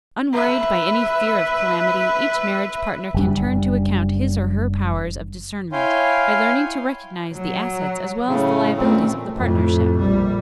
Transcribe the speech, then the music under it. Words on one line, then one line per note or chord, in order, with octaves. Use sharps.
Unworried by any fear of calamity, each marriage partner can turn to account his or her powers of discernment by learning to recognize the assets as well as the liabilities of the partnership.
B4 E5
F#1 G3 D4
E4 C#5 F5 G5 G#5 C6
F#3
A2 C#3
F#2 A#2 A3 C4
F2 A2
A#1 G3